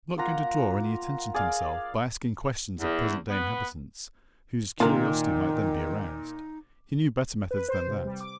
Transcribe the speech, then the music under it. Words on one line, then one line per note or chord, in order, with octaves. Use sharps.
He was not going to draw any attention to himself by asking questions of present-day inhabitants, whose curiosity might then be aroused; he knew better methods than that.
A#3 F4 F#5 A#5
G#4 D5 F5
E2
B3
A#2 D#3 D#4 F4 A#4
B4
C5
C3
G3
D6